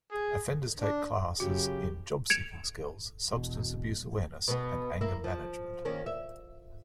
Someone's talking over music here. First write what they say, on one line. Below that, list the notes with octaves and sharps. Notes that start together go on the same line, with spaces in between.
Offenders take classes in job-seeking skills, substance-abuse awareness and anger management.
G#4
D4
F#2 C#3 F#4 G4
G#6 C#7 D7 E7 F7
E1 B2
B2 B3
A#3 E4
F3
D#3 A#3 C#4
E5